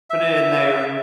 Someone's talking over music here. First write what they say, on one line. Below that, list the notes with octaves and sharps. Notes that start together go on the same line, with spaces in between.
put it in there,
E5